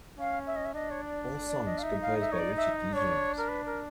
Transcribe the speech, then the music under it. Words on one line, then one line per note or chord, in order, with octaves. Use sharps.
All songs composed by Richard D. James.
C#4 F5
E5
D#5
E5
D4 D#5
C#5
D5
D5
D5
D#5
F5
D#4 E5
F5
E5
C#5
D5
E5
D4 C#5
A#4
B4
A#4